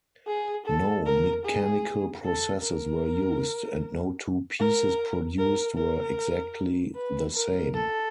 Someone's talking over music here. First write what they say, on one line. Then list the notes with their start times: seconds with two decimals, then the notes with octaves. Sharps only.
No mechanical processes were used, and no two pieces produced were exactly the same.
0.27 G#4
0.66 A4
1.06 A#4
1.45 G#4
2.24 A4
2.63 A#4
4.59 A#4
5.39 A#4
5.78 A#4
6.95 B4
7.34 A#4
7.74 A4